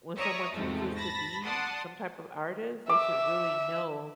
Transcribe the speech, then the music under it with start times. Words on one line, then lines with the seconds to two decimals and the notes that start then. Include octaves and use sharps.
when someone chooses to be some type of artist, they should really know
0.17 C#5 D5 E5 A#5 C#6 D#6
0.53 E2 G#2 C3 F3 G#3 A3
0.96 A5 B5 A6 A#6
1.43 D5 F#5 A5 C6 D#6
2.89 E5 D6